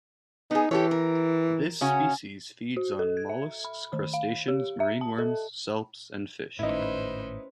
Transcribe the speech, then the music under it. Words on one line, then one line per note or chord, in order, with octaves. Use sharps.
This species feeds on molluscs, crustaceans, marine worms, salps, and fish.
B3 D#4 G#4
E3 G4 A4 C#5
A#4
C#3 C#4 F#4
F#4
A4
G#6
E5
B5
D#3
F5
G4
E5
A5
A4
G#1 A2 C#4 D#4 E4 B4 C5